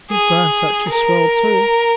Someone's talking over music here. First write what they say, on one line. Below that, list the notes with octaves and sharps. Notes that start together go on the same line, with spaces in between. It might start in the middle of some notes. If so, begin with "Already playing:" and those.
You've grown such a swell, too.
G#4
A#4